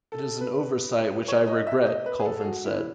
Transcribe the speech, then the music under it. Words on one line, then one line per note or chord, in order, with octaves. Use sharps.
It is an oversight which I regret, Colvin said.
A4
B4
C#5
D#5
E5
D#5
B4
G#4
A4
G#4
F#4
E4